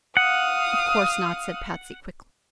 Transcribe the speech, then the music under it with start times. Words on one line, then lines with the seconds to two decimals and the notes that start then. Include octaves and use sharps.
"Of course not," said Patsy, quickly.
0.17 F5 F#5 D#6